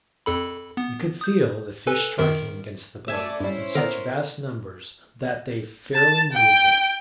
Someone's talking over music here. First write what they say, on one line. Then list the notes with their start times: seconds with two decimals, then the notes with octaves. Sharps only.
We could feel the fish striking against the boat in such vast numbers that they fairly moved it.
0.26 F2 A4 B5
0.77 B3
1.21 D#6 G6
1.87 A4 B4 G#5
2.19 F#2 D#3 A#4
3.08 A3 A4 D5 E5 G#5
3.40 G2 G3 C#4 E4 C5
3.75 D3 B3 A#4 D5
5.94 A5
6.32 G5